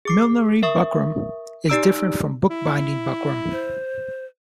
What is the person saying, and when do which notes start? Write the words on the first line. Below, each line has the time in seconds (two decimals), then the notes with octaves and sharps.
Millinery buckram is different from bookbinding buckram.
0.05 G#4 D6 C7
0.62 A#4 E5 C#6 D#6
1.69 D#4 G4 D5 A#5 E6 D7
2.50 E4
3.52 C5